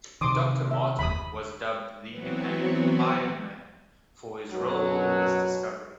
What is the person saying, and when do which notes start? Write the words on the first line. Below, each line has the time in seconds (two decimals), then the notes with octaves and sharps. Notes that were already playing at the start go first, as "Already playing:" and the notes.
Dr.Martin was dubbed the nickname "Iron Man" for his role in this discovery.
0.21 C3 D#3 C6 D6 D#6
0.71 E5
0.99 F1 D#2 B5 D#6
2.09 E3 F#3 B3 C4 F#4
4.52 F#2 B2 F#3